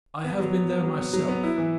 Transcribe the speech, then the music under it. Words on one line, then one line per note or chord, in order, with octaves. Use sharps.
I have been there myself.
B3
F#3
B3
B3
F#3
B3
F#3
B3
E4
E3